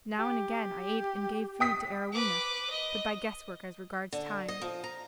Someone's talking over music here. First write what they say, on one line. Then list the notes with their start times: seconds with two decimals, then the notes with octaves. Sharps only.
Now and again, I ate and gave food to Arowhena, but by guess-work as regards time.
0.19 G4
1.60 G5 D#6 B6
2.13 B4 D6
2.70 D#5
4.13 D3
4.48 D#5
4.62 F3
4.84 A#5